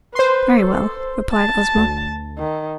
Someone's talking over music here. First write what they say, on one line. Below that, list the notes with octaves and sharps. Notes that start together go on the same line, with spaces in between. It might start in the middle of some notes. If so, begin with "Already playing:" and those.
"Very well," replied Ozma.
B4 C5 C6
A4
A5
D2
D#3